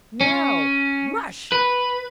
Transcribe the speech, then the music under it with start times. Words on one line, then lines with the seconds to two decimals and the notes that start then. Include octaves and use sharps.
"Now, MUSH!"
0.21 C#4
1.52 B4